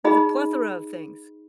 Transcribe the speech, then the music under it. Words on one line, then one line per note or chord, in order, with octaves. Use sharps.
There's a plethora of things.
D#4 G#4 D#5 B5